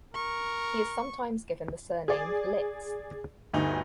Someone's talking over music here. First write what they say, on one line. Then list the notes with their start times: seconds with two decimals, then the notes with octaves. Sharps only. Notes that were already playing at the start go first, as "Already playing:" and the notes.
He is sometimes given the surname Litz.
0.14 A#4 C#6
2.08 G#4 D5
3.53 G1 D2 D#4